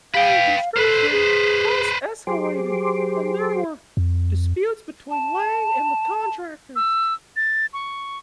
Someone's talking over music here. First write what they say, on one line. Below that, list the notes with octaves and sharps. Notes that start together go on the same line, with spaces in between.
During construction, costs escalated, and there were disputes between Laing and the contractors.
B4 F5 G5
A4 B4 C5
G#4
F#3 G4 G#4 C5 C6 D6
F2
A5
E6
A6
C#6